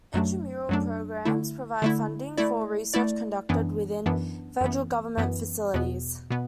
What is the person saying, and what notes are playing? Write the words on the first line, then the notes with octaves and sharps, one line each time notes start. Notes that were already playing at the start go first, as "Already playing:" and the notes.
Intramural programs provide funding for research conducted within Federal government facilities.
F#2 F#3 A3 D4
F#2 F#3 A3 D4
D3 A3 E4
D3 A3 E4
A3 E4 D5
A3 E4 D5
F#2 E3 B3 D4
F#2 E3 B3 D4
F#2 E3 B3
F#2 E3 B3
E2 B2 B3
B2 B3